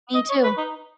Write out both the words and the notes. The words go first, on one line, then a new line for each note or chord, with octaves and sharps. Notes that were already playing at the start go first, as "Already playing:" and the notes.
Me, too.
D#5
C#5
B4
D#4